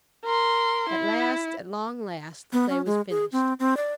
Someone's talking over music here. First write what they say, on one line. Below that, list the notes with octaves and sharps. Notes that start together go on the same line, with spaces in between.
At last, at long last, the play was finished.
A#4 C6
E4
B3
C#4
G#3
G#4
C4
C4
D5